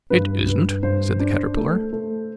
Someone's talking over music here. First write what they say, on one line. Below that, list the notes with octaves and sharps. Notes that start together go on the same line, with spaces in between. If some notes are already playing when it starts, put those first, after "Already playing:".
'It isn't,' said the Caterpillar.
G2 B4
G2
G2 C5
D4
A3
A3